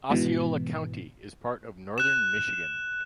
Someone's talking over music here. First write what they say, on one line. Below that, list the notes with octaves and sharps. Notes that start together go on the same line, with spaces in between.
Osceola County is part of Northern Michigan.
G#2 B2 E3
F#6 E7